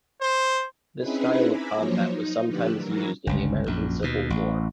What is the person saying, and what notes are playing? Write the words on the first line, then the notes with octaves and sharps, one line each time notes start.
This style of combat was sometimes used in the American Civil War.
C5
C4 C#4 D#4 E4 G#4 B4
E5 G#5 A#5 B5 D6
F3 F#3 A#3 C5 C#5
D#4
D3 F3 A3 D4 G4 B4
E3 F#3 A#4
G1 C#2
A#1 F#2
D#2 B2
A1